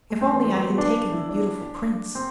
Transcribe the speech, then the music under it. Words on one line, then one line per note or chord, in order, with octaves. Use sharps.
'If only I had taken the beautiful Prince!
A3
C4
E3
E3
F#3
B3
D4
E4
D4
C4